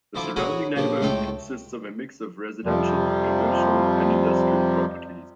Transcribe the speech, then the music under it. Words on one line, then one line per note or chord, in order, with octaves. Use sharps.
The surrounding neighborhood consists of a mix of residential, commercial, and industrial properties.
D2 F3 E4 F4 D6
C#4 F#4 G#4 A#4 C#5 B5
A#2 C#3 F3 G4
C#2 A2 A3 F4 A4 G5
F2 C3 F3 G3